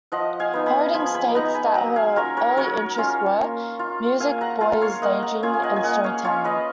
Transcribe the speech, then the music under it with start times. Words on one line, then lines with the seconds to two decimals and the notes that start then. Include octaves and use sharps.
Harding states that her early interests were, "music, boys, daydreaming and storytelling".
0.12 F3 D#5 F#5
0.40 F5 G#5
0.53 B3 D#4
0.66 G#5 B5
0.94 F3 G#5 B5
1.14 G#5 B5
1.34 B3 D#4 F#5 A#5
1.55 G#5 B5
1.75 F#3 F#5 A#5
1.96 F5 G#5
2.16 C#4 F4 A#4 C#5
2.37 A#4 C#5
2.57 F#3 A#4 C#5
2.98 C#4 F4 C#5 F5
3.38 A#3
3.79 F4
4.20 A#3 F5 G#5
4.41 F#5 A#5
4.61 F4 F5 G#5
4.81 C#5 F5
5.02 A#3 D#5 F#5
5.22 F#5 A#5
5.42 C#4 F4 F5 G#5
5.54 G#5
5.63 D#5 F#5
5.76 G#5
5.83 A#3 D#5 F#5
6.04 C#5 F5
6.24 C#4 F4 C#5 F5
6.45 B4 D#5